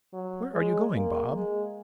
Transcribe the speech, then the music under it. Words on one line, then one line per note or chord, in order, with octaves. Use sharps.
"Where are you going, Bob?"
F#3
G#3
A#3
G#3